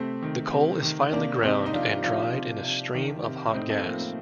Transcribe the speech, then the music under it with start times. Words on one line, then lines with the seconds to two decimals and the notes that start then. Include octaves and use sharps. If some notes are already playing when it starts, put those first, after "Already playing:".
The coal is finely ground and dried in a stream of hot gas.
Already playing: C3 A3 C4
0.23 D#3
0.53 C3
0.83 D#3
1.13 C3 A#3 D4
1.43 C3 C4 D#4
1.66 D#4
1.73 F3 D4 F4
2.04 F3 D4 F4
2.34 C3
2.64 C3
2.95 D#3
3.25 C3
3.54 A2 C4 D#4
3.69 A3 C4
3.85 F3 A#3
3.99 A#3